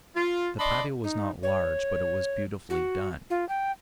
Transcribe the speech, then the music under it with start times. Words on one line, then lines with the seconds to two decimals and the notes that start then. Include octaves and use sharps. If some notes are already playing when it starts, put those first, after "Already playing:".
The patio was not large, but it was beautifully done.
0.16 F4
0.59 D4 D5 D#5 B5 C6
1.04 D#4
1.43 C#5
2.70 F#4
3.30 F4
3.49 G5